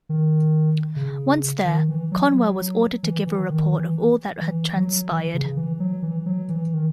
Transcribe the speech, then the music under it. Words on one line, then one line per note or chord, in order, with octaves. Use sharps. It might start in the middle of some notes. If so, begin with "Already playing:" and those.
Once there, Conwell was ordered to give a report of all that had transpired.
D#3
C#3
D#3
E3
F#3
F#3
E3
E3
D#3
E3
E3
F#3
E3
C#3
E3
F#3
E3
F#3
E3
D#3